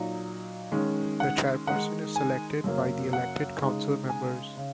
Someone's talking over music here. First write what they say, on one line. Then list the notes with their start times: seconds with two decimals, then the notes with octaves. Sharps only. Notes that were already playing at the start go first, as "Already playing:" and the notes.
The chairperson is selected by the elected council members.
Already playing: A#2 F#3 D#4
0.72 D#3 G#3 C#4
1.20 F#5
1.67 D#3 G#3 D#4 F#5
2.16 G#5
2.64 F#2 C#3 F#3 A#3
3.13 F#5
3.61 C#3 G#3 D#4
4.09 G#5
4.57 C#3